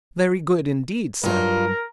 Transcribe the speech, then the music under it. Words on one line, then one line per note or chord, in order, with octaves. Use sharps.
"Very good indeed, sir."
G2 F#3 G3 F4 A#4